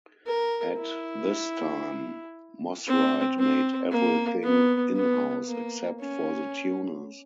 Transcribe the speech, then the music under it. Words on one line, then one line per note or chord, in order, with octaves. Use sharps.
At this time, Mosrite made everything in-house, except for the tuners.
A#4
E4
C4
C4
A#3
B3
B3
A#3
C#4